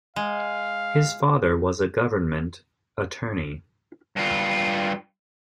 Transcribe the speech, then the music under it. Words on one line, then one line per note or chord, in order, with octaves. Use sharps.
His father was a government attorney.
G#3 F5
G2 F4